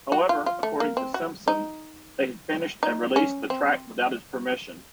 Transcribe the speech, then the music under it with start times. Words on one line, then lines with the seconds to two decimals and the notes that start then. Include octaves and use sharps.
However, according to Simpson, they had finished and released the track without his permission.
0.12 F#4
0.29 F4
0.46 F4
0.63 A3
0.80 A#3
0.97 C4
1.14 F#4
1.48 D#4
2.83 D#4
3.16 C#4
3.50 C4